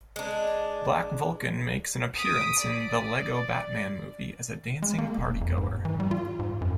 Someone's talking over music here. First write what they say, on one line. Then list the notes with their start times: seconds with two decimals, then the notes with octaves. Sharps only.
Black Vulcan makes an appearance in "The Lego Batman Movie" as a dancing partygoer.
0.16 G#3 D4
2.15 D#6 B6 D7
2.60 D5
4.82 G#3
4.98 A#3
5.18 F1
5.41 F2
5.58 G#2
5.85 E3
6.00 G3
6.11 F4
6.39 G#2
6.61 F#2